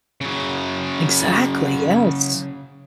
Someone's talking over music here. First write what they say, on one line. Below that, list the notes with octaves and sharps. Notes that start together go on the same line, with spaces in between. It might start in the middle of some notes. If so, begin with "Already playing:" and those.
Exactly, yes.
C#3 F#3